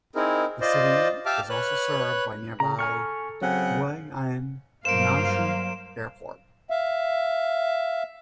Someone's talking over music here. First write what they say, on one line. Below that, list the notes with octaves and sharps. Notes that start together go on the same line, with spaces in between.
The city is also served by nearby Huai'an Lianshui Airport.
C4 D#4 E4 G#4 A#4
F4 C5 D5 D#5
G4 E5 F5 A5 D6 F6
B4 C#5 F#6
C#3 A#5
A4 G#5 C#6 F6
C#3 F#3 C4 F#5
G2 F#3 A#3 C5 F5 D7 E7
E5 F5